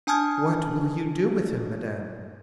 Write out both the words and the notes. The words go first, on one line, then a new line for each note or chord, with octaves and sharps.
"What will you do with him, madame?"
D4 G#5 A5 D#6 F6 G#6